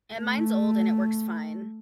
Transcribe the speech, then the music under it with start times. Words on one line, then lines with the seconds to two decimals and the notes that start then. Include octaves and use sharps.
And mine's old, and it works fine.
0.15 A3